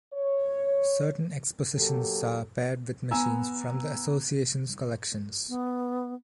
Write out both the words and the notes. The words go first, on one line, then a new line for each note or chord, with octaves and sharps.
Certain expositions are paired with machines from the Association’s collections.
C#5
F#3 A#3 G4 A4
B3 G#5 A#5 E6
B3